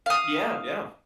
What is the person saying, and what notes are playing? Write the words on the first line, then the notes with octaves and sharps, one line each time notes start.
Yeah, yeah.
F5 D#6